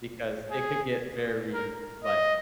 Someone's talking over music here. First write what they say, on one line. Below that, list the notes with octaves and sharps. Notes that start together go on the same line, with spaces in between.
because it could get very, like
G#4
A#4
D#5